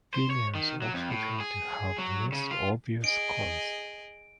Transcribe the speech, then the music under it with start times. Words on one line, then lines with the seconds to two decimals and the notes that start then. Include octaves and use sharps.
Females also tend to have less obvious combs.
0.14 C5
0.31 C#5
0.55 D#3
0.82 F#3
0.94 F2
1.10 A2
1.40 G#4
1.98 F#3
2.33 C#3
2.51 F4
3.04 G#4 D#5 D7